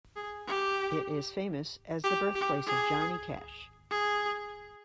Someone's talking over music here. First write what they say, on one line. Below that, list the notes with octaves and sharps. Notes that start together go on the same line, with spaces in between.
It is famous as the birthplace of Johnny Cash.
G#4
G4
G4
G4
G#4
G#4